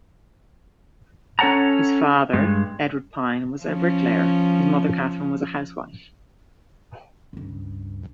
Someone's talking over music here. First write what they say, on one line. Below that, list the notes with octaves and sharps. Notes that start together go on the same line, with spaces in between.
His father, Edward Pyne, was a bricklayer; his mother, Catherine, was a housewife.
C#4 A4 C#5 F#5 A5 A#5
G2 G#3
F3 C#4
C#2 G2